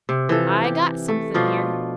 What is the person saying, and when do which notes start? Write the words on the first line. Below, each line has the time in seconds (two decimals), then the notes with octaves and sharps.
I got something here.
0.09 C3
0.29 E3 F3 A4
0.64 G4
1.08 A3
1.34 B2 F3 D4 F4